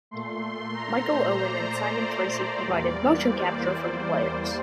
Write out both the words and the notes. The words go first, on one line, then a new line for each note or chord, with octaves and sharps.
Michael Owen and Simon Tracey provided motion capture for the players.
A#2 A3 C6
A#5
C5
D5
D5
E2 E3 G3 A#3 D5
C5